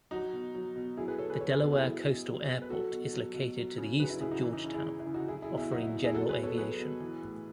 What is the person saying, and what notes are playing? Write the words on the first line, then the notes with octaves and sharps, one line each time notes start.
The Delaware Coastal Airport is located to the east of Georgetown, offering general aviation.
F#3 D#4 F#4
B2
F#3
B2
F#3 E4 G#4
G#4 B4
B2 A4 C#5
G#4 B4
F#3 A4 C#5
G#4 B4
B2 F#4 A4
E4 G#4
F#3
B2
F#3
B2
B4
F#3 F#4 A4
B2
F#3
B2
F#3
C#3
F#3 G#4 B4
E4
C#3 E4 G#4
D#4 F#4
E3 E4
D#4
C#3 E4
E4 G#4
E3 E4
E4
C#3
D#4 F#4
F#3 E4 G#4
E4 G#4
B2
E4 G#4
F#3 D#4 F#4
E4
B2
E4 G#4
F#3 F#4 A4
G#4 B4
B2
A4 C#5
F#3 G#4 B4
B2
E3
A2